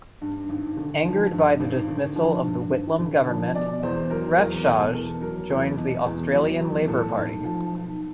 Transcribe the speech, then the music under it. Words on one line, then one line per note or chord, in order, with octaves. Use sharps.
Angered by the dismissal of the Whitlam Government, Refshauge joined the Australian Labor Party.
G2
G#1
D3
F3
G2
G#1
D3
F3
G2
G#1
D3
F3
B2 D5
E2 C5
F#3 A#4
E2 A#4
B2 A4
E2 A#4
F#3 A#4
E2
B2
E2
F#3
E2
A2 A4
B1
F3
B1